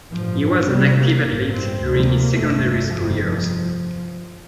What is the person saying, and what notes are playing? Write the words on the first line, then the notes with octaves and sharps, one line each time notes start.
He was an active athlete during his secondary school years.
A1 G2 F3
C2 C3 G3
A#3
A1 G2
C4
D2 C3
A#3
G1 F2 C3 A3
G1 F2 C3 F3